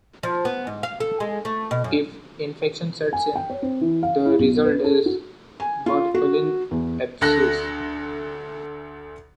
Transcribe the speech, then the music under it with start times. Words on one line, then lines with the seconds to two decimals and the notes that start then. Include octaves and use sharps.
If infection sets in, the result is a Bartholin's abscess.
0.23 F3
0.45 B3
0.67 G#2
0.83 F5
1.00 A4
1.20 G#3
1.45 A3
1.71 B2
1.84 F#2
3.13 G#5
3.36 G5
3.50 C#5
3.62 C4
3.81 E3
4.03 F5
4.25 E4
4.39 B1
4.65 B4
4.84 A4
5.06 F#4
5.60 G#5
5.86 F4
6.15 F#4
6.71 E2
7.21 D2 A4 F#6 A#6